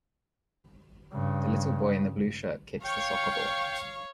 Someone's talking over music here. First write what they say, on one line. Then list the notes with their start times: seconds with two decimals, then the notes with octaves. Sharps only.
The little boy in the blue shirt kicks the soccer ball.
1.13 G2 C#3
2.84 C#5 F5 G5 C#6